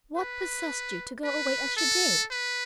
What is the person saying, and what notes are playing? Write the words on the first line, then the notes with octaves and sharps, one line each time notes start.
What possessed you to go away as you did?
B4
B4
A4
B4